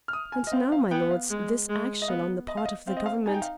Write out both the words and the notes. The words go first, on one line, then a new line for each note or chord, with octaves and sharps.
And now, my lords, this action on the part of the Government....
F6
D#6
G#5
D#5
C4 F5
F5
B3 G5
F5
G#3
G#3
D#5
B3 F5
D#5
F5
D#5
C4 F5
D#5
F5
D#4 G#5
G5
F5